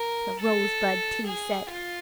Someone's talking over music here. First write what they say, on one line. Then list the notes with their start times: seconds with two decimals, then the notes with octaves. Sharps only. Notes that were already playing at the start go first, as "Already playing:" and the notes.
The rosebud tea set!
Already playing: A#4
0.40 A4
1.27 G#4
1.71 F4